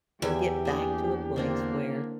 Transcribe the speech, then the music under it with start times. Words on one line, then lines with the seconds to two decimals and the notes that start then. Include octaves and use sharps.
and get back to a place where
0.22 E2 G4 E5 G#5
0.65 A#3 D4 G#4
1.36 D3 A#3 C4 D4